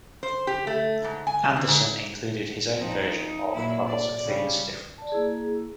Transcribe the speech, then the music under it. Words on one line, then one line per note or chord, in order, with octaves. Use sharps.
Anderson included his own version of "A Lot of Things Different".
C5
G4
A3
G#2
G#5
D3
G#2
F3 C4 D#4
D#4
A#2 F#3 E4
D5
C#3 G3
D5 A5
A#3 E4 G#4